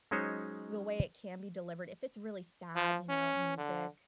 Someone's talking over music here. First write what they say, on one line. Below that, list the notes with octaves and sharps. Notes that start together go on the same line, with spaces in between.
the way it can be delivered, if it's really sad, you know, music
F#3 G#3 C#4 D#4 C5 C#5
F3
C#4
D3